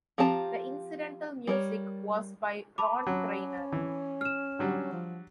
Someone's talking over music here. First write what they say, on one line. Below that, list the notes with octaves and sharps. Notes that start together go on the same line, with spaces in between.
The incidental music was by Ron Grainer.
F3 C4 G4 A5 A#5
G3 A#4 C#5
A5 B5 D6
F#3 C#4
E3
F6 E7
D3 F#3 G3
F3